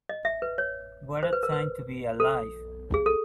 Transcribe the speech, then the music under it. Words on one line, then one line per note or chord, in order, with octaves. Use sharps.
What a time to be alive.
D#5
E5
B4
C#5
C5
B4
A#4
B4
A4
G#4
A4